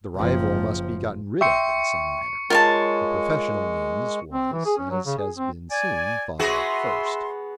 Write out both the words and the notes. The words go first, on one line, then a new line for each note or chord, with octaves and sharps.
The rival must be gotten rid of in some manner; the professional means was, as has been seen thought of first.
F#1 F3
E5 G5 C6 C#6 C#7
G#3 F4 A#4 C#5 A5
C4
E3
G#4
C#4
F#3
C#3
G#4
C4
D5 G#5
B3 F#4 G#4 E5 C6